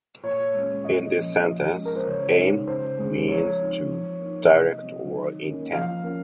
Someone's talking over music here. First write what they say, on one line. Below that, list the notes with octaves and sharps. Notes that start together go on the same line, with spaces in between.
In this sentence, "aim" means to direct or intend.
A#2 C#5
G#3 C#4
A#2 D#5
F3 A#3 C#4
F3 D#5
G#3 C#4
A#4
C5
C#3 C#5
G#3 D#4
C#3 C5
G#3 C#4
F3 C#5
C4 D#4
F3
A#3 D#4
C3 D#5
F#3 C4
D#3
A#3 C#4
F3 F5
A#3 C#4